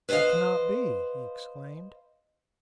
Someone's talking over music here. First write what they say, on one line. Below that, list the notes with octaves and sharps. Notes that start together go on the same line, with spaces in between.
"It cannot be!" he exclaimed.
B4 C5 D5 D#5 F5